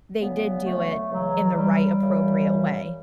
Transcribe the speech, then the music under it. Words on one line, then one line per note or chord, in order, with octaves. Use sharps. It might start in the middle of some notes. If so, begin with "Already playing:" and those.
they did do it in the right, appropriate way.
D2 C#3 F#3 B3
A3
C#2 C#3 E3 F#3
F#3
G3
F#2 C#3 E3